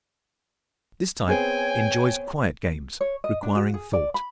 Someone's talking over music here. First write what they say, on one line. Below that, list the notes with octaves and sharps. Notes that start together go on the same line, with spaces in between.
This type enjoys quiet games requiring thought.
B3 C4 G#4 C#5 G5 G#5
C#5
D#5
D4
F#4
G#4
D5
B5